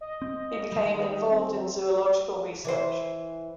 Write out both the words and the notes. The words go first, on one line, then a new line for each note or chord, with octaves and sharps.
He became involved in zoological research.
D#5
C4
D#3 G3
C4
E3 C5